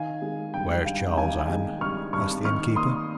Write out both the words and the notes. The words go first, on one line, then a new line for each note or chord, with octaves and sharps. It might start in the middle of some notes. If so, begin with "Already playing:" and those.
"Where is Charles, Ann?" asked the innkeeper.
Already playing: D#3 F5 G#5
G#3
G2 G5
G2 F5
D#3 F5 G#5
G#3
G2 C#6 F6
G2 C#6 F6
D#3 C#6 F6
A#3 C6 D#6